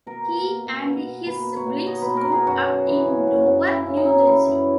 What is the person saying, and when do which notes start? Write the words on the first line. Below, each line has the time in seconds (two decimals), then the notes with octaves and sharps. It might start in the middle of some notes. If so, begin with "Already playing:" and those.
He and his siblings grew up in Dover, New Jersey.
0.06 B2 A#4
0.27 A#3
0.47 A#3
0.66 B2
0.87 B2
1.07 B2
1.26 A#3 B4
1.47 D#4
1.56 C#5
1.67 B2
1.87 D#4 D#5
2.02 B2 B4
2.17 A#4
2.26 B2
2.32 G#4
2.47 F#2 F#4
2.67 F#2
2.87 E3
3.07 C#3
3.27 F#2
3.46 F#2
3.67 C#3 E4
3.87 C#3
3.97 D#4
4.07 C#3
4.27 E3 E4
4.47 F#2